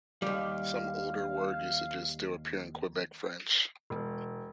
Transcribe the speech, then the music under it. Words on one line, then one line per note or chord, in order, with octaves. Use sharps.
Some older word usages still appear in Quebec French.
D#2 G3 F5
E1